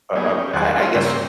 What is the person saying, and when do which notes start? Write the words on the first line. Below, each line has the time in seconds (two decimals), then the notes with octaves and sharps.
uh, I I guess
0.15 F#3 A#3 B3 D#4 G4 G#4
0.35 C#4 G4
0.53 D#2 F#3 G#4 C5 F#5 A5
0.80 C4 F4 F#4 C5 C#5
0.95 G2 C#3 A#3 G5 C6 E6